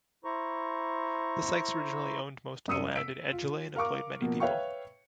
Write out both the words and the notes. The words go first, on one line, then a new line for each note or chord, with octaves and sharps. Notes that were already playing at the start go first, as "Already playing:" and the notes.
The Sykes originally owned most of the land in Edgeley, and employed many people.
E4 C5 A#5 C#6
F#2 D5 D#6 E6 C#7 D#7
E6 B6 D7
F4
A#4 F5 C#6 D6
B2 F3 A#3
B4 C#5 E5 F5 G5 C#6